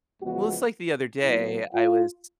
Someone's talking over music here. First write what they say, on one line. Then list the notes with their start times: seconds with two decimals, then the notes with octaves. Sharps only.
Well, it's like the other day, I was
0.22 E2 C#3 F3 G#3 B3 F#4
1.23 A#2 F#3 B3 E4
1.74 F4